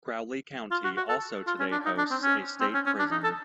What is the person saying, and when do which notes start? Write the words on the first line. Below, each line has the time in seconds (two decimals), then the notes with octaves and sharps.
Crowley County also today hosts a state prison.
0.71 F4
0.84 F#4
0.97 F#4
1.09 A4
1.47 F4
1.59 C#4
1.72 D4
1.85 D#4
1.98 D4
2.11 C4
2.23 C#4
2.60 C4
2.74 C#4
2.86 C#4
2.99 D4
3.11 D#4
3.24 A4